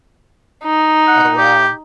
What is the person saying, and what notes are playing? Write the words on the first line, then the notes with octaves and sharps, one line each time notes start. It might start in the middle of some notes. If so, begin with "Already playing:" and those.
Oh wow.
D#4
F#5
G4